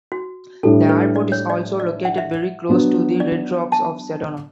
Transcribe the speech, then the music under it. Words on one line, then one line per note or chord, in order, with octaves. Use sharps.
The airport is also located very close to the Red Rocks of Sedona.
F#4
A2 G3 D4 A4
B4
D5
C#5
D5
D5
F#5
E5
F#3 B3 D4
D5
A5